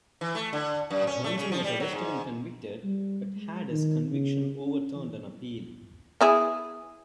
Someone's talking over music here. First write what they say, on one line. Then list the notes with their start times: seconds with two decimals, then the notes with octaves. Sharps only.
Johnson was arrested and convicted, but had his conviction overturned on appeal.
0.21 E3
0.35 A3
0.53 D3
0.91 F#2
1.07 C#4
1.24 A3
1.38 C#3
1.52 F3
1.64 G3
1.80 F#3
1.92 G#2
2.84 G3
3.36 G#3
3.70 D#3
4.10 C#3
4.60 C#4
4.96 E3
6.21 B3 E4 G#4